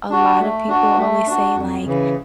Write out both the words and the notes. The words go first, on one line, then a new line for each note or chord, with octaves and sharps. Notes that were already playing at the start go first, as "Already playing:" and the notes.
a lotta people always say, like
D4 F#4
A3
D4 F#4
A3
D4 F#4
F2
C#3 E3